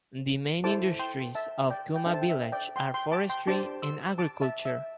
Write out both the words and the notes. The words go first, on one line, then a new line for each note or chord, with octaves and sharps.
The main industries of Kuma Village are forestry and agriculture.
E4 A4 C5 A5 D6
G5 C6
E5 A5
D5 G5
G5
D4 A4 C5 E5
A5
G5
E5
D5 G5
G5 C6
G5 C6
A5 D6
G5 C6
D4 G4 C5 A5 D6
C6 E6
A5 D6
E5 A5
E5